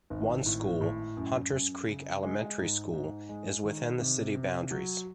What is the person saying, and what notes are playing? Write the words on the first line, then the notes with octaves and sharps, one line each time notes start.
One school, Hunters Creek Elementary School, is within the city boundaries.
G#1
A2
A2
F#2
F#2
C#3
G#3
G#2
G#2
G#3
D#3
C3
C3
F#3